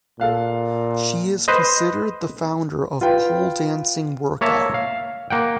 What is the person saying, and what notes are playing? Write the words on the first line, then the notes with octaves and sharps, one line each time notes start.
She is considered the founder of Pole Dancing Workout.
A#2 A4 F5 F#6
B4 C5 D#5
F4 B4 G5
A#3 C#5 E5 A5
F5
A#3 F#5 G5